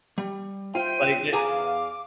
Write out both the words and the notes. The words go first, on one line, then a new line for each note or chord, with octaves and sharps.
like, the
G3
F4 C5 E5 G5 D#7
E2 G#4 F5 G#5 A#5 D6